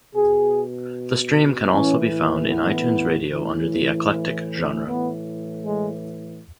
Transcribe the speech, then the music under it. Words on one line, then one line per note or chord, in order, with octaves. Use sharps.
The stream can also be found in iTunes Radio under the "Eclectic" genre.
B2 G#4
A2 E3 C#4
B3
A2 E3
A2 E3 B3
G#3